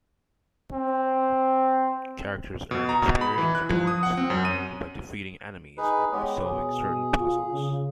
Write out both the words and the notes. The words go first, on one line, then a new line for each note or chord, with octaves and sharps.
Characters earn experience points by defeating enemies or by solving certain puzzles.
C4
B2
A#5
B2
B5
E3
F#6
F3
D#6
F#5
C4
F#2
D#7
D#4 G#4 B4
G#3 B3 G4 C#5
B2 G#4
F4
C#3